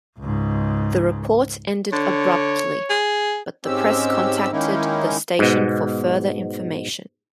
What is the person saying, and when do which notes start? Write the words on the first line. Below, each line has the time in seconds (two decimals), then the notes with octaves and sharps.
The report ended abruptly, but the press contacted the station for further information.
0.19 C#2 G#2
1.93 D3 C#5
2.90 G#4
3.65 G#2 G#3 C4 C#4 G4 E6
4.51 D#3 G#3 A#3 C#4 D#4 E4
5.39 G#2 B2